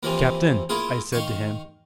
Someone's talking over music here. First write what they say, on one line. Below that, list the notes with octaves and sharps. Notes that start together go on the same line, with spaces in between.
"Captain!" I said to him.
C3 E3 F3 A#3
A#3 E4 F4 G#4
D#3 F5 C6 C#6